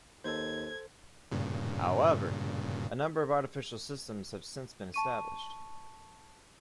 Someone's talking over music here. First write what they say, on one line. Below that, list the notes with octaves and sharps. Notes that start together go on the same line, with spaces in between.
However, a number of artificial systems have since been established.
D#2 A4 C5 G#6
G2 A#2 C#3
A5 C#6 D#7